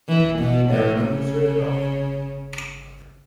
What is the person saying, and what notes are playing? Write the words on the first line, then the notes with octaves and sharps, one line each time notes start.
The aircraft was written off.
E3
B2
A2
C#3